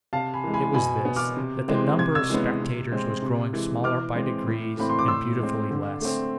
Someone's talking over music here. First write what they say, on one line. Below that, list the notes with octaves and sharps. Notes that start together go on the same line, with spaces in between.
It was this--that the number of spectators was growing smaller by degrees and beautifully less.
C3 F5 A5
G#5 B5
E3 G#3
G#5 B5
B2 G#5 B5
B3
D6 F6
C3
E3 G#3 C4
C3 G#6
E6 G#6
E3 G#3 B3
C3
G#3 C4
C3
E3 G#3
E3 D6 F6
G#3 C4
A2
E3 A3 C4 B5
C6
D6
A2 C6 E6
G#3 C4
D3
A3 C4